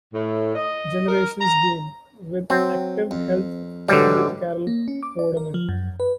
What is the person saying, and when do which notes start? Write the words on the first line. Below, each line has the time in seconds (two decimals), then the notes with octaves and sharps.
Generations game, with "Active Health with Carol Vorderman".
0.13 A2
0.55 D#5
1.08 A#4
1.41 A#5
2.50 F#3 C4
3.11 F2
3.89 G#2 D3 E3 F#3 G3
4.67 A#3
4.88 C#4
5.03 D6
5.19 D5
5.37 A#4
5.54 F3
5.69 F#2
6.00 B4